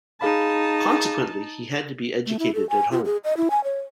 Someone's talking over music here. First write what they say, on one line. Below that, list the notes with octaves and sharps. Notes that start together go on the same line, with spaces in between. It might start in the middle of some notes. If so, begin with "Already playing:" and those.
Consequently, he had to be educated at home.
D#4 G#4 F5 A5 B5
A3
E4
A4
G#5
F4
G#4
D#5
E4
G#5
C#5